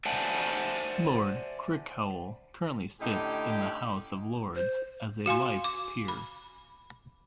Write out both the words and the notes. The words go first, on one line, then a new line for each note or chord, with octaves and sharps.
Lord Crickhowell currently sits in the House of Lords as a life peer.
C5 D5 E5 F#5 G#5 A5
A2 D3 C#4 D#4 E4 G4
C5
F#4 F5 G#5 C6
D6
B5